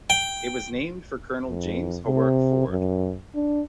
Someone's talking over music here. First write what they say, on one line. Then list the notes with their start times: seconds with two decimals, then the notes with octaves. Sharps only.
It was named for Colonel James Hobart Ford.
0.10 G5
1.49 F2
2.06 C3
2.69 F#2
3.35 D4